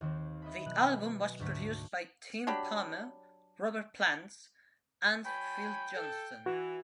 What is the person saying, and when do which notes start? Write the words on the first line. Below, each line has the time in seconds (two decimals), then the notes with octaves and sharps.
The album was produced by Tim Palmer, Robert Plant and Phil Johnstone.
0.01 D#2 D#3 C4
0.42 D#5 E5 B5
0.66 B2 F#3 F#6
1.40 D2 G#2 F#3 A3 B6
2.47 F#3 D4 G4 B5
5.25 F#3 G5 G#5 B5
5.96 A4
6.46 E3 F#4